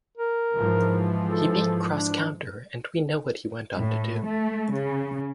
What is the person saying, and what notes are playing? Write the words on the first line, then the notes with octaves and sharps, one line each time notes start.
He beat Cross Counter and we know what he went on to do.
A#4
G#2 E3 F3
A4
D4
A2
A3
C#3